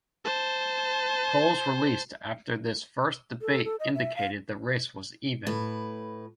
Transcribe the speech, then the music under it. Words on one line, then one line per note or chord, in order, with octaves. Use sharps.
Polls released after this first debate indicated the race was even.
C5 A5
A4
A4
D#5
E5
F5
A2 B4